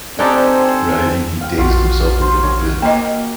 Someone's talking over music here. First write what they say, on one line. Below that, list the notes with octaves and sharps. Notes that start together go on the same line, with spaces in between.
Right? He d he dazed himself a little bit.
C4 D4 D#4 G4 A4 C5 D5 G#5
F5 G5
A#1 F4 F#4 F5
C5
C#5
A#3 A#4 D#5 D6